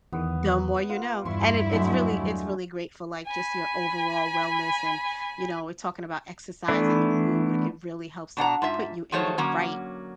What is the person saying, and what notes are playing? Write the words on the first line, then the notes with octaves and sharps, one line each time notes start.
The more you know, and it it's really, it's really great for like just your overall wellness, and, you know, we're talking about exercising your mood, it really helps to put you in the right
E2 D#3 E3 B3
F4 F#5
E2 G2 E4 C6 C#6
D3 F#3 G#3 A3
G#5 B5
E3 A3 B3 D4 E4
B2 D4 F#5 A#5
G#2 F4 E5
F3 F#3 A3 G#4 C5 C#5
D3 F#3 A#3 C#4